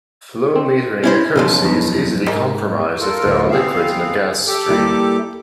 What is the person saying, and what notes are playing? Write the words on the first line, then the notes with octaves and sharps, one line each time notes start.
Flow metering accuracy is easily compromised if there are liquids in the gas stream.
C4
C#4 E4 C5
B1 F#2 C#3 F3
E2
G#2 A#4
F4 A4 A#4
D2 A2
B3 C4 G#4 E5 F5
G4 A4 D6
G3 A#3 E4